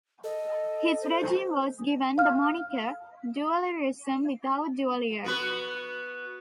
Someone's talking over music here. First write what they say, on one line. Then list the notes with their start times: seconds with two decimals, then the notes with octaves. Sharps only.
His regime was given the moniker "duvalierism without Duvalier".
0.24 A4 D#5
1.01 C5
2.18 F5 F6
5.24 B3 F#4 B4